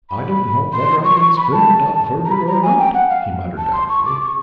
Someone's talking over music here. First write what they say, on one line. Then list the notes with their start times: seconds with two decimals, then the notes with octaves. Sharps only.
"I don'd know vedder I can swum dot furder or not," he muttered, doubtfully.
0.10 B5
0.73 C6
1.04 C#6
1.17 C6
1.20 C#6
1.37 B5
1.52 A5
2.25 A#5
2.31 B5
2.47 A#5
2.63 G#5
2.78 G5
2.94 F#5
3.10 F5
3.58 A5
3.73 C6
3.89 C#6
4.05 D6
4.21 C#6